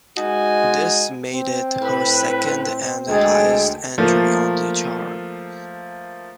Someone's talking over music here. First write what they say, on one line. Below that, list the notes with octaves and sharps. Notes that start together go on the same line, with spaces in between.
This made it her second and highest entry on the chart.
G#3 D#4 F#4 G#5
C4
A2 B4 B5
D2 G#3 G#4 A4 G5
F3 A3 A#3 F4